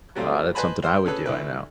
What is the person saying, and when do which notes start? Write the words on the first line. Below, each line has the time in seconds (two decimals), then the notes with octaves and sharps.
Uh, that's something I would do, I know.
0.15 F#3 G3 A3 C4 F4
0.55 B4 C5 D#5 G#5 A5 B5
0.84 C5
1.05 C#4 G#4 A4 B4
1.26 D2 E4 B4